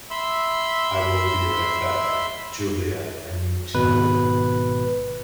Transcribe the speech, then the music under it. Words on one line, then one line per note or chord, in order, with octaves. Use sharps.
I will be right back. Julia, I need to know it.
E5 B5 C6 E6
G#1 B2 B4